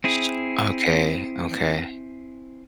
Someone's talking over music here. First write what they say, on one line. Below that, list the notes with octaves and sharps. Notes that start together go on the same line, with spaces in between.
Sh Okay, okay.
C4 E4 G#4